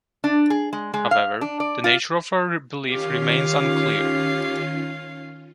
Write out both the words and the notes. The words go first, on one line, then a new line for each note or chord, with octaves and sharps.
However, the nature of her belief remains unclear.
D4
G#4
G#3
G#3
F5
D4
D5
F4
D#3 C#4 F4 G4 C#5 F5